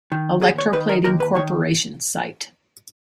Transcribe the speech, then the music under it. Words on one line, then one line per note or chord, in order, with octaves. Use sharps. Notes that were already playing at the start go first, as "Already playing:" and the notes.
Electroplating Corporation site.
D#3
D#2 G#4
C#5
D#3 B4
A#4
D#2 A#4
B4
D#3 C#5